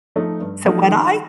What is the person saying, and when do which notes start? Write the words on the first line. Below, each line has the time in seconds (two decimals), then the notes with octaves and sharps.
So, what I
0.16 F3 A3 D#4
0.40 G2
0.65 F3 A3 D#4
0.90 D#3